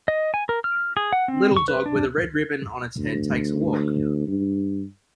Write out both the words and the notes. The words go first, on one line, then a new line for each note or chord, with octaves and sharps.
A little dog with a red ribbon on its head takes a walk.
D#5
G#5
A#4
F6
G#4
F#5
C4
C#6
B4
D4
D2
G2